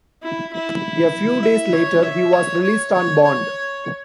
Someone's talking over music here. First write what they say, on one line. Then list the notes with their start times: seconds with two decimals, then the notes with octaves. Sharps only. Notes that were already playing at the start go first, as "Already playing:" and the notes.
A few days later, he was released on bond.
0.23 E4
0.53 E4
1.43 E5
1.73 C#5
2.03 E5
2.33 C#5
2.63 C#5
2.93 C#5
3.23 C#5